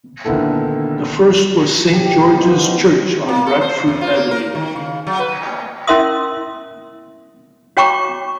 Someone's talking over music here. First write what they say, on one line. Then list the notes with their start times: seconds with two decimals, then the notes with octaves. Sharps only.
The first was Saint George's church, on Radford Avenue.
0.25 A#1 D3 D#3 B3 E4 A4
1.94 B1 F#3 G4
2.37 D#3 F3 G#3 B3 C#4
3.29 A#3
3.46 A4
3.61 C5
3.88 E2
4.01 F4
4.14 A#3
4.31 A#4
4.55 D#3
4.76 C#3
5.07 F#3
5.19 B4
5.87 C#4 E4 A#4 E5 C6 D#6
7.77 F#4 C#5 G5 A#5 C#6 D6